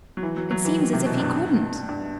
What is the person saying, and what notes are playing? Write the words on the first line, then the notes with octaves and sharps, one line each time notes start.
"It seems as if he couldn't."
F#3
E3
F#3
F#3
E3
D#3
C3
B2
G2
G2